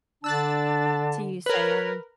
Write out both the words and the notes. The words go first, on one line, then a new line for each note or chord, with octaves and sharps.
to you saying,
D3 D4 A5 E6 F#6 A6
A#4 B4 C#5